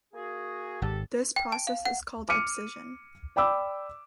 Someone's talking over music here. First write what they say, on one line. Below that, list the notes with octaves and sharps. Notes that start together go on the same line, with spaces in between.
This process is called abscission.
A#3 F#4 G#4
G#1 G#2 G4 A4
G5
A5
F5
F#5
D6 F6 C#7 D#7
D5 G5 B5 D6 E6